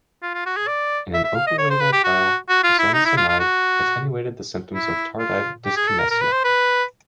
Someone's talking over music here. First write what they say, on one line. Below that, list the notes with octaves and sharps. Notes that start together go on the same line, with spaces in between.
In an open-label trial zonisamide attenuated the symptoms of tardive dyskinesia.
F4
F4
F#4
G#4
D5
E5
E5
F5
D#5
C#5
C5
B4
G4
F#4
F#4
F4
E4
D#4
E4
F4
F4
F#4
E4
F4
G4
G#4
A4
A#4
A#4
B4
C5
B4